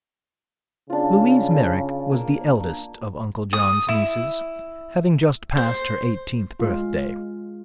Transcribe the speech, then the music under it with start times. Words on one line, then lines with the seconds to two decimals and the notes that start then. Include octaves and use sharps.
Louise Merrick was the eldest of Uncle John's nieces, having just passed her eighteenth birthday.
0.90 C#3 D4 F4
2.11 A#3
3.53 D#6
3.88 E4
5.57 C5
6.60 G#3 F4